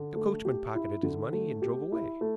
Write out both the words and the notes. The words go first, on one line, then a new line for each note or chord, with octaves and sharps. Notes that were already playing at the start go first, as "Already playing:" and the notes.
The coachman pocketed his money and drove away.
Already playing: D3
A3
G4
E4
D3
A3
G4
E4
A3